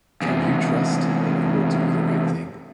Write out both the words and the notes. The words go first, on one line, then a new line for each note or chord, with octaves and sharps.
Can you trust that you will do the right thing?
E2 C3